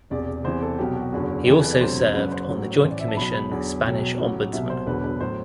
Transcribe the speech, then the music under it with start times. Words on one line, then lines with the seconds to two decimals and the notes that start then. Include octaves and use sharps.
He also served on the joint commission Spanish Ombudsman.
0.10 E1 E2 C3 D5
0.44 E2 C3 E3 C5
0.62 A4
0.79 C2 B2 F#3 G4
0.96 F#4
1.13 F#1 E2 D3 F#3
1.47 E2 C3 E3 G4
1.56 A4
1.64 B4
1.72 D5
1.81 E1 D2 C3 F#3 C5
2.15 F#1 F#2 F#3 B4
2.32 C5
2.49 A1 A2 F#3
2.83 A1 A2 E3 C5
2.91 D5
3.00 E5
3.08 A5
3.17 B1 B2 F#3 B5
3.34 B5
3.51 E2 D3 F#3
3.84 B1 B2 F#3 G5
4.18 A1 A2 F#3
4.53 C2 B2 F#3 E5
4.70 C5
4.86 E1 E2 D3 F#3 B4
5.04 B4
5.21 A2 F#3 C5